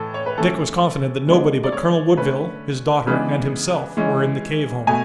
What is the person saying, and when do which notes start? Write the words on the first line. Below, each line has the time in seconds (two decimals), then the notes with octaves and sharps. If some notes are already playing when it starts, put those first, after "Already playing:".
Dick was confident that nobody but Colonel Woodville, his daughter, and himself were in the cave-home.
Already playing: A2 E3 A4
0.14 C#5
0.26 B4
0.38 E3 A3 C#4 A4
1.27 D3 G#3 B3 D4
1.64 D5
1.72 C#5
2.17 D3 A3 C#4 B4
3.07 C#3 E3 G#3 B3 D4 B4
3.97 E3 G#3 C#4
4.87 B2 A3 G#5